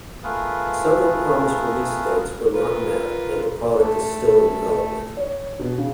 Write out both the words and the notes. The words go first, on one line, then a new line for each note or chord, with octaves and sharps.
Several promised release dates were not met and the product is still in development.
A3 B3 F4 G#4 A#4 B4
F4 A#4 B4
A3 A4
C#5
B2
C#3